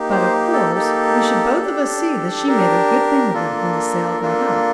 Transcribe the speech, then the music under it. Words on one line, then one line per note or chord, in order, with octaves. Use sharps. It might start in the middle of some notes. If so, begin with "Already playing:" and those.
But, of course, we should both of us see that she made a good thing of it when the sale got up.
Already playing: A#3 D#4 G4
C5
A4
A#3 D#4 G4
D4 G4
D4 G4 A#4
A#3 D4 F4 A4
A#3 D4 F4 A4